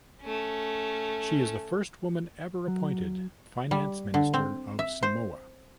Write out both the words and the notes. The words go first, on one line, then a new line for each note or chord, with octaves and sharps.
She is the first woman ever appointed finance minister of Samoa.
A3 C#4
F#3
G3
D3
C4
E5
C5